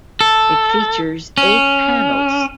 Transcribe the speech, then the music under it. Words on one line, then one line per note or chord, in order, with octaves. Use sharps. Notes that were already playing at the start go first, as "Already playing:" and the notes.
It features eight panels.
A4
C#4